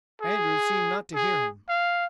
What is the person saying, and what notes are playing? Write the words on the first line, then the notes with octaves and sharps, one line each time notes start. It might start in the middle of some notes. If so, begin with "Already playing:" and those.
Andrews seemed not to hear him.
G#4
G#4
F5